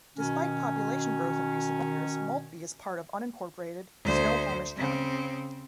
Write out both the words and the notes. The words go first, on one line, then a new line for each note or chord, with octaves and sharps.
Despite population growth in recent years, Maltby is part of unincorporated Snohomish County.
B2 D#3 C#4
D2 C5
C#3 C4